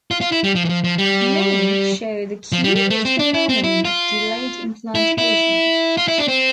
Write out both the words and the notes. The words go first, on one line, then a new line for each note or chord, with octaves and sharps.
Mink show the curious phenomenon of delayed implantation.
F4
F4
E4
G3
F3
E3
F3
F3
G3
F3
G3
G3
A3
C4
D4
E4
C4
E4
F4
E4
E4
F4
E4
D4
C4